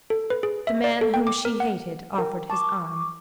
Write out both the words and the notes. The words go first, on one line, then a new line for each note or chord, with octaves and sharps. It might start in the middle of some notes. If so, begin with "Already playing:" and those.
The man whom she hated offered his arm.
A4
B4
G#4
E5
D5
A4
G5
D6
A#4
F#5
A#4 G5
A5 C#6 D6